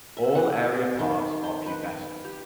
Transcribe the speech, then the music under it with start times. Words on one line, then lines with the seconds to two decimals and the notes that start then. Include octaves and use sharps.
All aerial parts are pubescent.
0.17 E5
0.35 F#5
0.99 D#3
1.44 C5
1.66 B4
2.25 G4